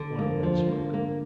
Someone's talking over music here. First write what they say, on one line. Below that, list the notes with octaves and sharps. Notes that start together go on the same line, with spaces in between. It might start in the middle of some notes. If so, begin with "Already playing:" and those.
One of the men spoke.
Already playing: D3
A#3
F3
A#3
A#3